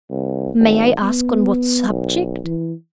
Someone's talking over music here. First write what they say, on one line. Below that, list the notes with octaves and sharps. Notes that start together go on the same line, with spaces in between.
"May I ask on what subject?"
C2
G#1
B3
B1
E3